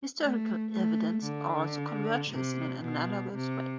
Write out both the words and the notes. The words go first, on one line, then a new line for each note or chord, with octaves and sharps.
Historical evidence also converges in an analogous way.
A3
A3
D3
C3
B2
C3